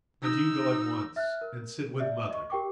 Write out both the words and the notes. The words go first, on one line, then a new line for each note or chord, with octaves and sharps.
But you go at once and sit with mother.
D#4 E6
E5 F6 F#6
A#4
D5 E5
D#5 C#6
G4 A#4 G5 C#6 D6